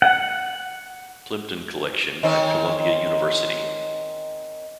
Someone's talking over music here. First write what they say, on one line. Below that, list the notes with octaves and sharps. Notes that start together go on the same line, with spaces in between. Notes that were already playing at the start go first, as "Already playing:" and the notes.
Plimpton Collection at Columbia University.
F#5
D#3 C4 C#4